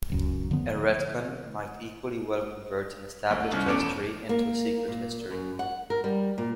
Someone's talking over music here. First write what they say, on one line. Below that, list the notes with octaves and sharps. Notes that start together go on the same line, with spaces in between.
A retcon might equally well convert an established history into a secret history.
D1 C#2 F#2
D3 F3 B3
D2
C2 C3 C#4 F6
E2 A3 B3 C#4 D6 D7
F2 E7
A#3
A#2
F#2
F#5
A#4
G3
A#2